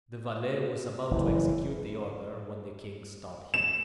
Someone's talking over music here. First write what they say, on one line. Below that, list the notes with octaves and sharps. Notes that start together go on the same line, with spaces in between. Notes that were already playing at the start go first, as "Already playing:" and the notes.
The valet was about to execute the order, when the king stopped him.
F#1 F2 E3
E7